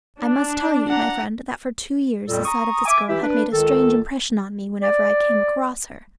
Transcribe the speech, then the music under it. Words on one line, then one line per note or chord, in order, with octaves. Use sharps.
I must tell you, my friend, that for two years the sight of this girl had made a strange impression on me whenever I came across her.
D4
F#5 A#5
F2 A#2 G3 A4
A#5 C#6 D#6
E5 G#5 D6
E3 E4 G4 E5
D4 B4
C#2 D#3 A4
D5